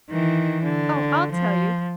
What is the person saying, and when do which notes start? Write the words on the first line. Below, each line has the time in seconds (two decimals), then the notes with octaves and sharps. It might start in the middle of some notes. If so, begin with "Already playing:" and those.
Oh, I'll tell you!
0.10 D#3 E3
0.64 D3
1.32 F3